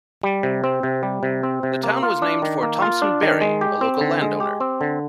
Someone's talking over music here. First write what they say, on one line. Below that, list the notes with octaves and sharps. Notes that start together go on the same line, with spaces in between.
The town was named for Thompson Berry, a local landowner.
G3
C3
C4
C3
G3
C3
C4
C3
A#3
F4
D4
D#3
A#3
F4
D4
D#3
G#3
G4
C4
D3
G#3
G4
C4
D3